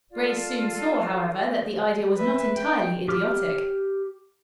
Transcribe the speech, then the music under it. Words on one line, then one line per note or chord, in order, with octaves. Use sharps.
Grace soon saw, however, that the idea was not entirely idiotic.
F4 A4 D5 F5
B4 E5
G5
G4 D6 F6